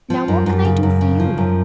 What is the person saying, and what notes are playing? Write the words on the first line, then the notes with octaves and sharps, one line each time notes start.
"Now what can I do for you?"
F3
F#2
F#2
C#3
F#2
C#3
F3
F#2